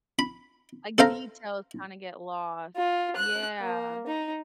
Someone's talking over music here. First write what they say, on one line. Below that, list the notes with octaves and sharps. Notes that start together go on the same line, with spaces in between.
Like, details kinda get lost. Yeah.
B5
A4 C5 F5 A#5
F4
F#6
A#3
D#4